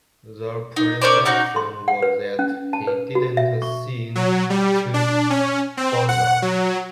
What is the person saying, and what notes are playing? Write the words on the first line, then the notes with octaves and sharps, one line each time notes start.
The perception was that he didn't seem to bother.
D#4
C#4 A#4 C5 D5
C#4 D#4 F#4
C6
F#5
B4
C#4
A5
B4
F#4
E5
C#6
F#3
G3
D4
C#4
C4
F#5
F#3